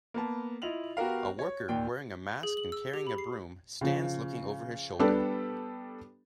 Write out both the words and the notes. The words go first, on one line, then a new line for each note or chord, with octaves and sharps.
A worker wearing a mask and carrying a broom, stands looking over his shoulder.
A#3 B3 A5
E4 F4 D#5 F7 F#7
B3 F#4 G4 A#4 F5
C#5
D#2 A#2 D5 G5
G#4
F#7
E6
G4
B5
C7
C#3 F3
G3 B3 D4 G4 A4